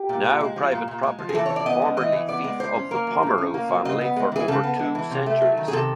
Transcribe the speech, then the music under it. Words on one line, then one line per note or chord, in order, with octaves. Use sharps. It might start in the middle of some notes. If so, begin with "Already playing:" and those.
Now private property, formerly fief of the Pomereu family for over two centuries.
Already playing: G4
A#2
A#2
G#3
F3
A#2
A#2
G#3
F3
G#4
E3 A4
E3 C#5
D5
B3 D#5
G#3
E3 D#5
E3
B3 D5
G#3
A2 C5
C#4
A#3 A#4
F#3
A2
C#4
A#3
F#3
C#3 D#5
B3
G#3
E3 G#4
C#3 A4
B3
G#3
E3
C3
A3
F#3
D#3
G#4
C3 A4